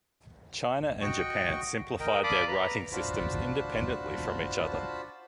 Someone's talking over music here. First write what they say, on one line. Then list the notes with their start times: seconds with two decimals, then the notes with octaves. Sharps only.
China and Japan simplified their writing systems independently from each other.
1.01 F#4 D#5 G5 C#6
2.00 A#4 D#5 G5
2.23 D5 F5 A5 B5 D6 D#6
2.48 B4 A#5
2.92 D4 F4 F#4 C5 A5 B5